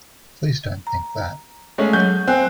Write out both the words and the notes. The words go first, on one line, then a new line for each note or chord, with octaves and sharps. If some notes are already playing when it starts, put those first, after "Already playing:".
Please don't think that.
A#5
G#3 A3 C#4
F#3 G6
C4 G#5 F#6